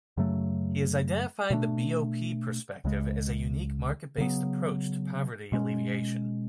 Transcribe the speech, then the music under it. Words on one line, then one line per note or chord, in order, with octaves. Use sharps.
He has identified the BoP Perspective as a unique market-based approach to poverty alleviation.
F#2 C#3 F#3 A3
B2 A3 D4
C#2 C#3 G#3
C#3 F#3 B3
B2 G#3 C#4